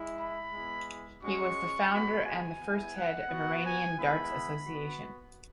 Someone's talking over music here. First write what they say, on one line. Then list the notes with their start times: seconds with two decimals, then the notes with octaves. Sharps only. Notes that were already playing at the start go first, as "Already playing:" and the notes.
He was the founder and the first head of Iranian Darts Association.
Already playing: G#3 E4
0.19 B5
0.53 G#3 B3 E4
1.22 G#3 C#4 F#4 C#6
1.91 G#3 B3 F#4 B5
2.25 G#5
2.60 B3 E4
2.95 F#5
3.29 B3 F#4
3.63 G#5
3.98 G#3 B3 E4 B5
4.67 B3 F#4